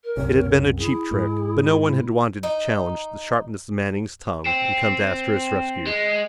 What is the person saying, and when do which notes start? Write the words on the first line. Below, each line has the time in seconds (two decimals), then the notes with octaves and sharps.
It had been a cheap trick, but no one had wanted to challenge the sharpness of Manning's tongue and come to Astro's rescue.
0.03 A#4
0.17 C2 F#2 C3 C#5
0.78 E4 G#4
1.11 G#2
2.43 D#4
4.46 C4
5.87 G#3